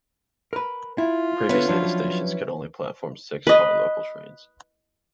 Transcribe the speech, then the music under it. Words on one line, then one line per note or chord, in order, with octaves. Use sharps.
Previously the stations could only platform six-car local trains.
A#4 B4
E4 F4
D3 B3 C#4 E4 B4
F3 F#3 D4
B4 D#5